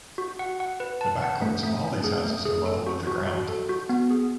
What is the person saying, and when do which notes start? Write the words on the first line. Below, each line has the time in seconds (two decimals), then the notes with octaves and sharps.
The back courts of all these houses are level with the ground.
0.18 F#4
0.39 F#5
0.60 F#5
0.80 B4
1.01 A5
1.22 F#5
1.42 A3
1.63 A3
1.84 A3
2.04 G#4
2.24 A3
2.45 G#4
2.66 A4
2.86 F#4
3.07 F#4
3.27 F#4
3.48 A4
3.69 F#4
3.89 B3
4.11 G#4